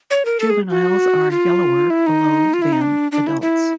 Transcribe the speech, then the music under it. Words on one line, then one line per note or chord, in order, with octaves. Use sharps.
Juveniles are yellower below than adults.
C#5
A#4
A4
G#4
F#4
F4
E4
D#4
F4
E4
D#4
D4
D4
E4
E4